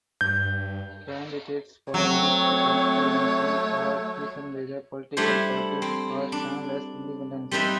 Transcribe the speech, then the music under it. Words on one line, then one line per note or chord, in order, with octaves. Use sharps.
Candidates for each constituency are chosen by the political parties or stand as independents.
G2 G6
F#3 A3 C4 C#5
G3 A3 D4 E4 C5
C4
D4
G3 C4 D#4 B4 E5